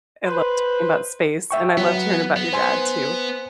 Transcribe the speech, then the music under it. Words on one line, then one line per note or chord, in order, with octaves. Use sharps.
I love talking about space, and I loved hearing about your dad too.
B4 C5
E5 G5 C#6
F#3 B3 F#5
B3
C5 G#5 C6